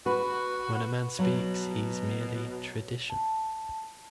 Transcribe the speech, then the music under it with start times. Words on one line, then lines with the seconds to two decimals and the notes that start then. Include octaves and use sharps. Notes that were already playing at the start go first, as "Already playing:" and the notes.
When a man speaks he's merely tradition.
0.06 F#4 B4
1.19 B2 F#3
3.10 A5